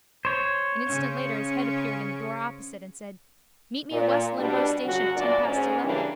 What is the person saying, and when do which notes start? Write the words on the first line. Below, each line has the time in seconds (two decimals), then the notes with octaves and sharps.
An instant later his head appeared in the door opposite and said: Meet me at Westland Row station at ten past eleven.
0.25 C5 C#5
0.86 C#3 C#4
3.91 A#2
4.38 B2 G3 D4
4.85 F#2 C#3 F#3 F#4
5.16 D2 A#2 D4 D5
5.44 G#2 C#4
5.84 C#3 E3 G3 A#3 C#4 D4